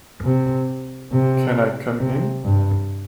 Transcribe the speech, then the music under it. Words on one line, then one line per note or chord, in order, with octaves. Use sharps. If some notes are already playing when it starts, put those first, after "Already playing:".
Can I come in?
C3
C3
C3
G2